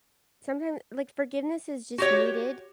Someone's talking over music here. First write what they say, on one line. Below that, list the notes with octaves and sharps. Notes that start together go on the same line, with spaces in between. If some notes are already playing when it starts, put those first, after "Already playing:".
sometim like forgiveness is just needed,
F#4 G4 C#5